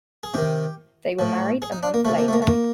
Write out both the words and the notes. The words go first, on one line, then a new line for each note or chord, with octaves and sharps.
They were married a month later.
G#4
C3 D#3 G4
A2 F3
G#4
D#4
D4
A#3
C3 F3 A3
A#3
A3
A#3
A3
A#3